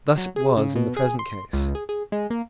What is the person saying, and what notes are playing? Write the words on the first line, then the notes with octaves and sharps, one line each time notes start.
Thus it was in the present case.
F#3
G#4
C#3
B2
G#4
C6
C#2
G#4
G#4
G#3
A#3